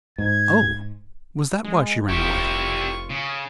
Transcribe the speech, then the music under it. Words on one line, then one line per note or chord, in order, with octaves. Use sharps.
"Oh! Was that why she ran away?"
G#2 G#6
G#3
F1 G3 E4 F4 C#6
C#3